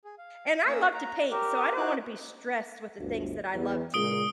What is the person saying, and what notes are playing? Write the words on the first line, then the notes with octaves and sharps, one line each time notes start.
And I love to paint, so I don't wanna be stressed with the things that I love to do,
G#4
F5
A#3 C#4 D#6 E6
A#5
G4 A#4
D#4 E4 F#4 C5 D6 F#6
G1 D2
E2
A#2 C#3 G#3 D#6 D7 G7